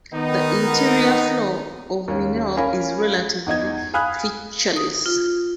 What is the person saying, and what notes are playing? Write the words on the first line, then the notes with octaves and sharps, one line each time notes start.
The interior floor of Mineur is relatively featureless.
D#3 B3 D#4
D#2 C#4
C#4 A#4 F5 G#5 B5
E2 D#4 D#5 G#6
F5 G#5 B5 D#6 F6 F#6
D#6
F4